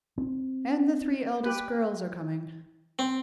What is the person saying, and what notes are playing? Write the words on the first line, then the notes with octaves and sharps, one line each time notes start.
"And the three eldest girls are coming."
C4
G4 B4
C4